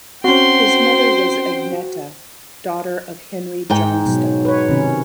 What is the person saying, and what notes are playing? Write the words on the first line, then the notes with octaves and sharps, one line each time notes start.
His mother was Agneta, daughter of Henry Johnstone.
C4 C#4 F#4 C5 G5 C6
G#2 D#4 G5
B2 F#3
B4 C#5
C3 D#3 C#4